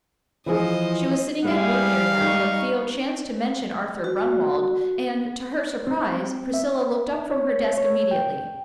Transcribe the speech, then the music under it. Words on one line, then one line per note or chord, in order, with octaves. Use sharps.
She was sitting at work near them, when Theo chanced to mention Arthur Brunwalde, and, to her surprise, Priscilla looked up from her desk immediately.
E3 F3 G#4 C5 D#5
G3 B3 E4 G#4 F5
D#4 B4 C#6
F#4
C4
E5
C#5
C#5
G5